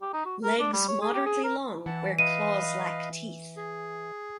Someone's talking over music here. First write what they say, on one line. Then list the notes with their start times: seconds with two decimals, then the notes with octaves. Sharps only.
Legs moderately long where claws lack teeth.
0.02 G4
0.13 D#4
0.25 F#4
0.43 A#4
0.60 D4
0.73 G3
0.88 C#5
1.02 G#4
1.14 G4
1.26 G#4
1.44 A#4
1.86 E3 F#5 A5
2.19 B4 D#5 F5 D#7
3.56 G#4